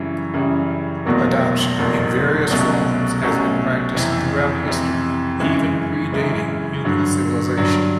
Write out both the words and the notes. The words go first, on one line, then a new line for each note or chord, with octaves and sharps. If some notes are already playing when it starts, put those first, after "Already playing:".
Adoption, in various forms, has been practiced throughout history, even predating human civilization.
Already playing: F#2 C#3 E3 G3
F#2 C#3 E3 G3
F1 E2 B2 F#3 A#3
F1 E2 B2 F#3 A#3
C2 B2 F#3 A3 C#4
C2 B2 F#3 A3 C#4
F2 C3 E3
F2 C3 E3
F#2 C#3 E3 G#3
F#2 C#3 E3 G#3
G2 D3 F#3
G2 D3 F#3